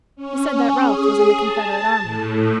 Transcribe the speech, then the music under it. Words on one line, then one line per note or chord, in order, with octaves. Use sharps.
He said that Ralph was in the Confederate army.
C#4
G#4
A5
A2